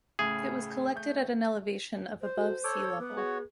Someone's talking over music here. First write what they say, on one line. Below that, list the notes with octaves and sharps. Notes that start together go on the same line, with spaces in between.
It was collected at an elevation of above sea level.
A2 C#3 A3 G#4
A3 G6
C5
F#4 A4
A4 C#5 D6
B3
F#4 G#4 C#5